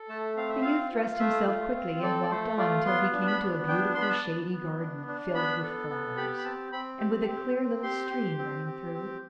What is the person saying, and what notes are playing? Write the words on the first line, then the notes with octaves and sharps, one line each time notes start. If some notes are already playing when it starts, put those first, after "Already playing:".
The youth dressed himself quickly and walked on till he came to a beautiful shady garden filled with flowers, and with a clear little stream running through.
Already playing: A4
A3 A5
C4 F5
E5
F4 F5
F4
A3 E5
F4
C4
A4 D5
D5
A3 C5
F4 D5
B3 C6
D4
B5
B3
D4 G5
B3 C6
B5
A5
B3
B3
D4
D4
B3 B5
A4
B3
G4 B5
B5
C4 A5
C4 B5
G4
C4
C4
G4 C6
G4
C4
G4
C4